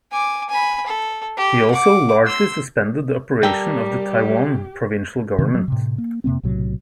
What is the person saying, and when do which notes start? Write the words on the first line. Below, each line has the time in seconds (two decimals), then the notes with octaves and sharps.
He also largely suspended the operation of the Taiwan Provincial Government.
0.12 G#5 D6
0.50 G#5 B5
0.87 A4
1.37 G4
1.70 F#5 D6
2.27 C6 E6
3.43 G3 G4 A4 A#4 G5
5.39 C3 D#3 C4
5.54 F#3
5.68 A2 C3
5.98 A#3
6.24 F2 C3 A#3 C4
6.43 B1 A2 C3 F#3